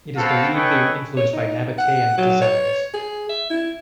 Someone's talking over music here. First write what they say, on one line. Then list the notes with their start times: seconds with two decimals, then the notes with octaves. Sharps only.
It is believed they were influenced by Nabatean designs.
0.16 B3 C4 F#4 A4 F5
0.54 G#4 A4 B4 C#5 D#5 G5
1.17 C#5
1.33 D#4
1.78 F#5
2.18 F#3
2.42 C#5
2.94 G#4
3.29 E5
3.50 E4